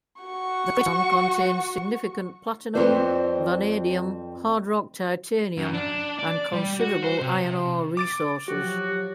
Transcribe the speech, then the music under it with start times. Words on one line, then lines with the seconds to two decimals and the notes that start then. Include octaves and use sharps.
The craton contains significant platinum, vanadium, hard-rock titanium and considerable iron ore resources.
0.22 F#4 C#6
2.75 F2 B2 C4 B4 C5 D5
5.57 F#2
5.74 D4
6.19 D5
6.53 G3
6.80 F#4
7.02 C5
7.21 C3
7.97 D6 A6 D7
8.48 F3 F#3 F#4 G4